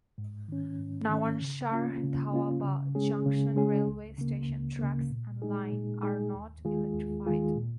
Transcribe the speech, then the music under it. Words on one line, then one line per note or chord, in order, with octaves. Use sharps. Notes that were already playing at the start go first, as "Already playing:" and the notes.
Nawanshahr Doaba Junction railway station tracks and line are not electrified.
G#2
D#3 C#4
G#2
D#3 C#4
C#3
A#3 C#4 F4
C#3
A#3 C#4 F4
C#3
G#3 C#4 G#4
C#3
G#3 C#4 G#4
C#2
C#3 A#3
C#2
C#3 A#3
A#2
G#3 D#4 G#4
A#2
G#3 D#4 G#4
D#2
D#3 G#3 F4 G#4
D#2
D#3 G#3 F4 G#4
A#2